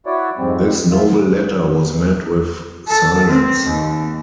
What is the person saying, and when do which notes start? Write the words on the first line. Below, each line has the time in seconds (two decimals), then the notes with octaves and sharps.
This noble letter was met with silence.
0.06 E4 F#4 C#5 D5
0.38 F2 G#2 G3 C4
0.91 E4 F4
1.08 C#3
2.88 A4
3.27 C4
3.68 D#2